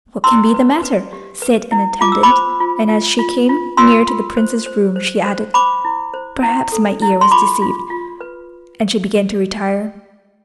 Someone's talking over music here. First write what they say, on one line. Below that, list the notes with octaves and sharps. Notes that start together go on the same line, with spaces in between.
"What can be the matter," said an attendant, and as she came near to the Prince's room she added, "Perhaps my ear was deceived," and she began to retire.
E4 C6 E6
B4
B4
G4
B4
E4
F4 D6
E6
B5 D6
C5
F4
F4
F4
F4
F4 C6 E6
F4
C5
C5
C5
C5
C5 B5 D6
E4
C5
E4
A4
E4
C6
F4 B5 D6
F4
F4
B4